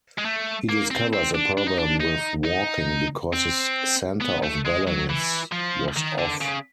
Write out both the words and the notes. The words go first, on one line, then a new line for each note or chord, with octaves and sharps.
He discovers a problem with walking because his center of balance was off.
G#3
A3
A#3
C4
C4
D4
D4
D#4
D4
D#4
D#4
C4
B3
A3
G#3
F#3
E3
F3
D#3
D3
C#3